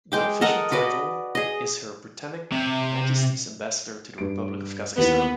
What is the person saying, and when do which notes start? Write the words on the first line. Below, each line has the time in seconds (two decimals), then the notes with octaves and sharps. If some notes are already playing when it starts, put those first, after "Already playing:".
The official title is Her Britannic Majesty's Ambassador to the Republic of Kazakhstan.
0.12 G#3 G5 D6
0.41 A4 A#4 D#5 F#5
0.72 F#4 B4 D5 D#5
1.35 G#4 D#5
2.52 C3
4.18 G2 D7
4.98 D#2 B3 E4